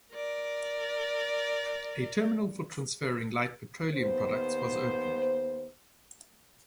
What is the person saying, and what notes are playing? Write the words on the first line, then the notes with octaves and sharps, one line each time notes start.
A terminal for transferring light petroleum products was opened.
A#4 D5
D#2 B3 C5